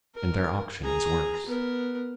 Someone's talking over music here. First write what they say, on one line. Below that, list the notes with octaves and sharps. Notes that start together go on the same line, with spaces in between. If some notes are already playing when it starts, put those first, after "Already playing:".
And their auction is worse.
A#4
G#4 A#5
B3 A#4